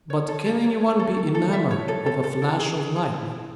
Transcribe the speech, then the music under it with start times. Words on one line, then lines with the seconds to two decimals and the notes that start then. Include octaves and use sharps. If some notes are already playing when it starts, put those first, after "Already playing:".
But can any one be enamoured of a flash of lightning?
0.10 C#5
0.28 A4
0.46 A4
0.64 C#5
0.81 C#5
0.99 A4
1.17 A4
1.35 A4
1.53 E5
1.71 C#5
1.88 A4
2.06 A4
2.24 A4
2.42 E4
2.59 G#4
2.78 G#4
2.96 G#4
3.13 E4
3.31 E4